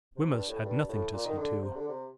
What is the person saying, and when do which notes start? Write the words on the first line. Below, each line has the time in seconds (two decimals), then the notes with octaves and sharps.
Wemyss had nothing to see to.
0.16 C3
0.32 G2
0.48 A2
0.65 G2
0.89 A2
1.13 A#2
1.26 D#3
1.38 D3
1.62 C3
1.76 D3
1.89 C3